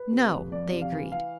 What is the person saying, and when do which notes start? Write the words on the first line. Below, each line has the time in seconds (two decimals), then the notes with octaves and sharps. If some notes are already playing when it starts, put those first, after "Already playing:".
"No," they agreed.
Already playing: B4
0.12 C3
0.32 F2
0.52 F2 D5
0.72 C3
0.82 F5
0.92 E3
1.12 E3 F5